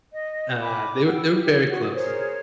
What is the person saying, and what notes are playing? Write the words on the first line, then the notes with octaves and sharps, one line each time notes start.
uh, they were they were very close,
D#5
G#5 B5 D6
F#5 G5 E6
E4 G4
F#4 F#5
G#4 A#4 C5 C#5